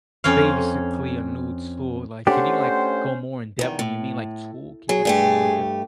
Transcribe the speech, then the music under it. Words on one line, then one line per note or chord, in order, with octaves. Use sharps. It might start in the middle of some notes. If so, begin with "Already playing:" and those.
Basically a new tool, like, can you, like, go more in-depth when you mean, like, tool? Can you, like, go more in-depth?
F2 C#4 C#5 F5
A3 C#4 D4 G4 C5 F#5
E2 D#3
A2
F#3 G#4
G2 A3 G4